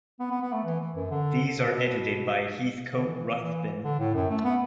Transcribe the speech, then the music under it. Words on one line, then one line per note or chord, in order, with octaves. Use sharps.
These are edited by Heathcote Ruthven.
B3
B3
B3
A3
E3
E3
F#2
D3
B2
D3
E3
E3
E3
D3
A2
F#2
A3
B3